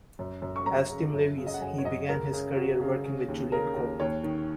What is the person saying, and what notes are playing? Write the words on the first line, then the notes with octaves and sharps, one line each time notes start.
As Tim Lewis, he began his career working with Julian Cope.
F#2
F#2
C#6
F#2 A#5
C#3
F#2
C#3
D#5
F#5
F#2 G#5
C#5
F#2 D#5
C#2 A#4
C#3
C#3 F#4
C#3
C#3
D#2
C#3 A#4
D#2
D#2 C#5
D#3